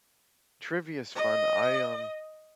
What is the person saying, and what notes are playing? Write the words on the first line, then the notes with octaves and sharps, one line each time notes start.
Trivia's fun. I, um
D#5